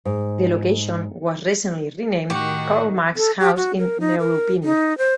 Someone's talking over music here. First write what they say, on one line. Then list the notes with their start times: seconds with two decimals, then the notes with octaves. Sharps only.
The location was the recently renamed Karl Marx House in Neuruppin.
0.05 G#2
2.30 A2 D#3 F#4 G4 C#6
3.17 A4
3.40 G4
3.57 F#4
3.78 A#4
4.00 D#4
4.20 A#4
4.64 D#4
4.98 C5